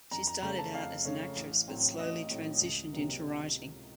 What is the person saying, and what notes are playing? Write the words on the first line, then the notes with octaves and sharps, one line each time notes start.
She started out as an actress but slowly transitioned into writing.
F2 A#5
A#5
C#3 A3 C#4 A#5
A5
F2 F5
C#3 A3 C#4
A1
A2 F#3 C4
A1 D#5
A2 F#3 C4
C#2
C3 F#3 A#3